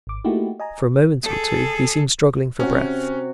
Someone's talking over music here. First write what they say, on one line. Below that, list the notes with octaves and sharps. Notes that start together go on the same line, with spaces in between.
For a moment or two he seemed struggling for breath.
G#1 D6
A3 A#3 D#4 E4 F#4 G4
D#5 G#5 A#5
G#4 A4
C3 C#4 F#4